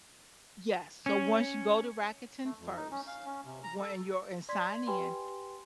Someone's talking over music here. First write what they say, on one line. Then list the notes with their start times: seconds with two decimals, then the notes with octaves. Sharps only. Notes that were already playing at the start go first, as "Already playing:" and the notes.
Yes, so once you go to Rakuten first, when you're and sign in,
1.06 C#4
2.45 A3
2.59 F2
2.76 D#4
2.91 C#4
3.07 F5
3.25 C#4
3.45 C3
3.64 A#5
3.80 A4
4.49 D5 C6 G#6 B6
4.87 G4 B4 G5 G#5 B5 C6